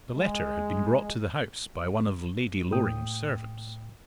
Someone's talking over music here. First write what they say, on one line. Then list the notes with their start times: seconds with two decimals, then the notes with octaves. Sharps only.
The letter had been brought to the house by one of Lady Loring's servants.
0.16 G#3
2.73 A2 G5 D#6